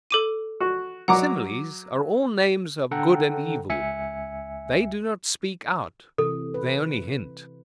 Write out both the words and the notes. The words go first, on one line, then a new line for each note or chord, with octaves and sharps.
Similes, are all names of good and evil; they do not speak out, they only hint.
A4 D6 D#7
F#4
F#3 F#5 A#5 D6
D3 A4 F#5 G5 A#5
C#2 E5 G#5 C#7
C3 E3 A4
B4